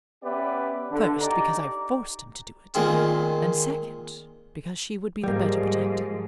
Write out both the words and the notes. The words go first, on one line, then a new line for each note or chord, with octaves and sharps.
First, because I forced him to do it; and, second, because she would be the better protected.
B3 C#4 G4 B4 D5 E5
D3
D#4 G4 D5 A#5
A#2 D#3 G#3 C4
G#2 F3 G3 A#3